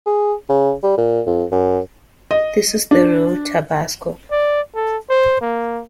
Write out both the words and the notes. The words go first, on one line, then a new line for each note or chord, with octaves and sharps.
This is the real tabasco.
G#4
C#3
G3
A#2
F2
F#2
D#5
D4
D5
A4
C5
A#3